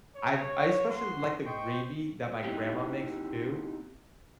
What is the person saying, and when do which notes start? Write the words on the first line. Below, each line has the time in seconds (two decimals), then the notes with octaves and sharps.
I've I especially like the gravy that my grandma makes too.
0.16 C#5
0.90 F#4 C6
1.46 C5 D#5 G5 C6 C#6
2.44 A#3 C4 D#4 E4 F#4 G4